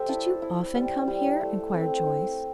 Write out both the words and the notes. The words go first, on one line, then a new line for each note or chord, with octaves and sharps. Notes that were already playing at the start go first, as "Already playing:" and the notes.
"Did you often come here?" inquired Joyce.
Already playing: G3 C4 A4 C5 D5 E5 G5
E4 A5
E4
G3
G3
A3
C4
E4